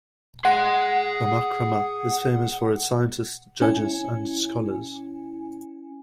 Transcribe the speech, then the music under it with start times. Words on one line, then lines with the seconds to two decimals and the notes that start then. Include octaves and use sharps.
Bamakhrama is famous for its scientists, judges, and scholars.
0.45 G#4 F#5 C6
3.61 C#4 E4 G#5